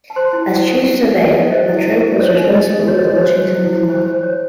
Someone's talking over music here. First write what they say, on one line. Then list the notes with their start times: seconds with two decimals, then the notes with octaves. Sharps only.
As chief surveyor, Latrobe was responsible for the Washington Canal.
0.10 A5
0.16 C5 C6
0.33 E4
0.50 E4
0.67 A4
0.84 C5
1.01 D#4
1.18 D#4
1.35 A4
1.51 C5 D#5
1.68 E4
1.86 E4
2.03 G#4
2.20 C5 C#5
2.36 D#4
2.54 D#4 D#5
2.71 A4
2.87 F#4 C#5
2.98 D#5
3.05 F#4 C#5
3.22 C5
3.39 C5
3.56 E4
3.73 E4
3.90 C5
4.06 C5
4.23 C#5